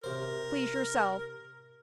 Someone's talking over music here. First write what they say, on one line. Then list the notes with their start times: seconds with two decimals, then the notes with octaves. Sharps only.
Please yourself.
0.04 C3 A#4 C5